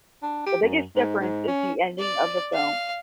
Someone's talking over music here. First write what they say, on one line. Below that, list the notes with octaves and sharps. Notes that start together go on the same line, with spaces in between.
The biggest difference is the ending of the film.
D4
G4
F#2
G#2
G#2
C#4
D5
F5